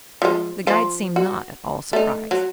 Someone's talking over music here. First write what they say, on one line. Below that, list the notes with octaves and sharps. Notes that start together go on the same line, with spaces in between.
The guide seemed not at all surprised.
F3 G#3
F3
F#4
A3 D#4
F#3